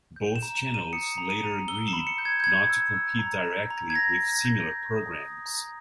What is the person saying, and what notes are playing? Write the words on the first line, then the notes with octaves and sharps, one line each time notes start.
Both channels later agreed not to compete directly with similar programmes.
G6
E7
A#5
E7
A#5
D#7
D#6 C#7
A#5
D#7
A#5
E6 G7
E7
B5
C#7
G6
G#6
G6
B5 G#6
E6
E6
A#5
A#5
A#5
G#6
A#5 A#6
A#5
G6
G6
D#6
D#6
A#5